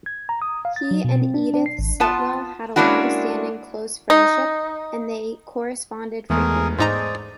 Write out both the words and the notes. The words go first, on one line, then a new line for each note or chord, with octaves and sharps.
He and Edith Sitwell had a long-standing close friendship and they corresponded frequently.
G#6
A#5
D#6
F5
A6
F#3
B2
C4
D4
D4
C7
G#1
B3 F4 A5
G#3 A#3 C#4 D4 E4 F#4
D#4
E2 G#3 A3 B3 G#4 A#4
G#2 D#4 G#4 C5 D5 D#5 A#5